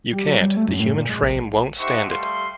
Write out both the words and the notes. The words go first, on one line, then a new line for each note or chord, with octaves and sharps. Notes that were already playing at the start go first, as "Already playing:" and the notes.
You can’t; the human frame won’t stand it.
G3
F#3
G3
A3
F#2
A2
A#2
G#3
A#1
D#4 G4 C5 E5 F#5 C#6
G3 A3 F5 C6